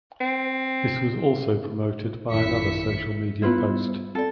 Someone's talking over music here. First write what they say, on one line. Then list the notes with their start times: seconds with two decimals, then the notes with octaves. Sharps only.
This was also promoted by another social media post.
0.20 C4
2.31 A1 F#2 D#3 E4 E5 B6 C#7
3.42 G3 B3 E4 F4 B4
4.15 C4 A4 D5